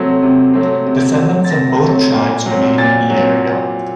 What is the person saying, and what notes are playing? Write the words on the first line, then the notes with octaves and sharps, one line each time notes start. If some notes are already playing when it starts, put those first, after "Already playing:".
Descendants of both tribes remain in the area.
Already playing: C3 F#3 A3 C4
C3
F#3 A3 C4
C3
F#3 A3 C4
A6
C3 A#6
F#3 A3 C4
A#2
F#3 C4
A#2 A6
F#3 C4
A#2